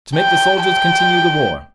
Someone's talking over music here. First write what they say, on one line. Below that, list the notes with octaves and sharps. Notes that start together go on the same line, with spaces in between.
To make the soldiers continue the war.
G5
G5